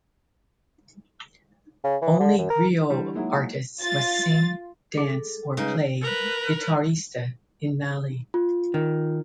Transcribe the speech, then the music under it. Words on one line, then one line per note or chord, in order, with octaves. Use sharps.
Only griot artists must sing, dance or play guitariste in Mali.
C#3
E3
D3
F#2
A#4
D3 E3 G3
F#3 G#3 A#3 D#4 E4 G#4
F4 A6
G#4 A4
C#3 G#3 D#4 B4
A#4 B4
F4
D#3